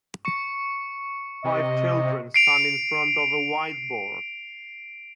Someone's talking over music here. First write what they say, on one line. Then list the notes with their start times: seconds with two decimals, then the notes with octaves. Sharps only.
Five children stand in front of a whiteboard.
0.25 C#6 C#7
1.44 C3 D#5
2.34 C7 D7 F7